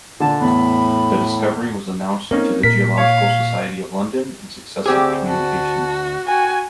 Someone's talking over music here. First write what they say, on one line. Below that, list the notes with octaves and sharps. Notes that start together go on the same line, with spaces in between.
The discovery was announced to the Geological Society of London in successive communications.
A#2 D3 A5
E2 A2 B5
A#3 C4 C#4 D#4 A#4
A#2 A#4 B6
C#5 F5
D2 C4 G4 G#4 D6 E6
F#4 A5
F#4 G5 G#5